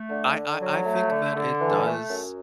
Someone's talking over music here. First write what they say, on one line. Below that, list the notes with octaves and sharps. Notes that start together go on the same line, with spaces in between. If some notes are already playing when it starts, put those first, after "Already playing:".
I I I think that it does
Already playing: A3
D3
D3
F#3
A3
D3
D3
E3
A3
F#2